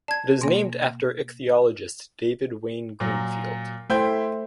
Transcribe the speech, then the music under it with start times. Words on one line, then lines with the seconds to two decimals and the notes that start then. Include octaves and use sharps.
It is named after ichthyologist David Wayne Greenfield.
0.08 D5 A5 G#6
0.41 B2 A#3
3.00 A#2 F#3
3.90 A3 E4 C5 E5 G5 G6